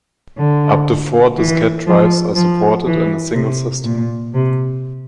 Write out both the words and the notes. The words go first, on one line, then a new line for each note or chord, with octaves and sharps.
Up to four diskette drives are supported in a single system.
D3
E3
F3
F3
E3
C3
A#2
C3